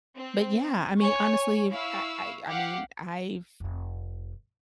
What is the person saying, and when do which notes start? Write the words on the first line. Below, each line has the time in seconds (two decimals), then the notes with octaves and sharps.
But, yeah, I mean, honestly, I've I I I mean, I've
0.15 C4
0.98 C#5 G#5 C#6
1.71 E4 F5 C#6 E6
2.48 G4 F5 F#5
3.60 F1 C4